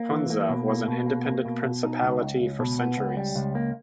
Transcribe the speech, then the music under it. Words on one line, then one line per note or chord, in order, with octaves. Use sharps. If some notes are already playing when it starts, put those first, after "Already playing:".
Hunza was an independent principality for centuries.
Already playing: A#3
E3
A#3
B2
A#3
B2
A#3
A#3
B2
B2
D#4
C#2
C#2
C#2
B2
B3
C#2
G3
C#2
A#3